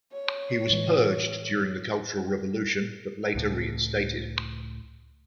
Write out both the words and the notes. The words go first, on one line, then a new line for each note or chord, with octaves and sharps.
He was purged during the Cultural Revolution but later reinstated.
C#5
A2 E3 G#3
C#2 A2